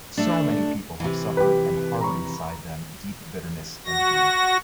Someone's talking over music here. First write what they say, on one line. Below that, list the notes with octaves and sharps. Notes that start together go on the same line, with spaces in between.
So many people have suffered and harbored inside them deep bitterness and grief.
A3 D4
C3 E3
G4 B4
A#5 B5 C#6
F#4 A#6